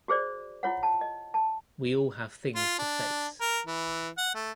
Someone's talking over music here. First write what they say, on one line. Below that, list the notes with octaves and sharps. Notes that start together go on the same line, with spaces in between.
We all have things to face.
F#4 G#4 C5 D5
E4 F4 C#5 F#5
A5
D#5
A5
F4
D4
A#4
E3
F#5
A3